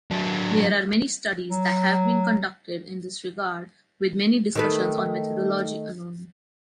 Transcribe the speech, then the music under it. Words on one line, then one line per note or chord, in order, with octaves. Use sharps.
There are many studies that have been conducted in this regard, with many discussions on methodology alone.
F#3 D4
F#3
D#3 A3 B4